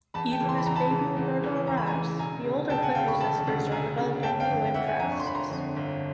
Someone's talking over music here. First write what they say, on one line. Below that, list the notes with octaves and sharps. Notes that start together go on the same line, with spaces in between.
Even as baby Roberta arrives, the older Quimby sisters are developing new interests.
E2 A5 B5
G5 A5
C#3 E3
C6
B5
E2 A#5
A5 B5
C#3 E3
E2
C#3 E3
E2 A#5
B5
G#5 A#5
C#3 E3
E1 G#5 A#5
D2 C#3
E1 G5 A5
F#5 G#5
D2 C#3 F5 G5
B5 C#6
E1 A5 B5
D2 C#3
E1 G#5 A#5
D2 C#3
G1 G5 A5
F5 G5
F2 D3
G1 E5 F#5
F#5 G#5
F2 D3 G#5 A#5
C#6
C6
G1 B5
A#5 C6
F2 D3
G1